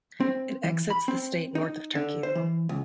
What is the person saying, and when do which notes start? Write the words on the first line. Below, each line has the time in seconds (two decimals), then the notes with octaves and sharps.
It exits the state north of Tarkio.
0.20 C4
0.64 E3
0.90 B5
1.08 C4
1.55 D#4
1.95 D3
2.23 C5
2.35 E3
2.69 C#2